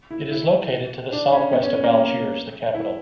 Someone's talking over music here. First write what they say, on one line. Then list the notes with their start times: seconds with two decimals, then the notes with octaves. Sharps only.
It is located to the southwest of Algiers, the capital.
0.11 E4
0.31 E4
1.12 D4
1.33 C#4
1.53 B3
1.63 C#4
1.73 C#4
1.84 A#3
2.75 E4